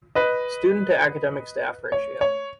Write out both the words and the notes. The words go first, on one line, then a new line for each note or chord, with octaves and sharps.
Student to academic staff ratio.
B4 D#5
C#5
C#5